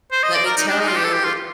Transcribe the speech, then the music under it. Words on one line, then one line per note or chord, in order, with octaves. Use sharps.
let me tell you,
C5
D#5
D5
A#4
D#4
D4
D#4
F4
G4
A4
G4
F4